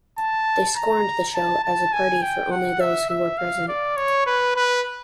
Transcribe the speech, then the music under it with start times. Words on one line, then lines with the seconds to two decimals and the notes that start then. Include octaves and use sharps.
They scorned the show as a party for only those who were present.
0.18 A5
0.76 A#5
1.34 A5
1.64 A5
1.93 G#5
2.22 G5
2.51 F#5
2.81 E5
3.10 E5
3.38 F5
3.69 D5
3.97 C#5
4.27 B4
4.56 B4